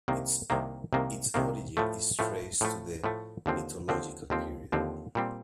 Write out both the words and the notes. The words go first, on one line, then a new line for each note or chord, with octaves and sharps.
Its origin is traced to the Mythological period.
C2 C3 D#3 A#3
C2 C3 D#3 A#3
C2 C3 D#3 A#3
C2 C3 D#3 A#3
A2 F3 A3
A2 F3 A3
A2 F3 A3
A2 F3 A3
D#2 D3 F3 C4
D#2 D3 F3 C4
D#2 D3 F3 C4
D#2 D3 F3 C4
A#2 G3 C4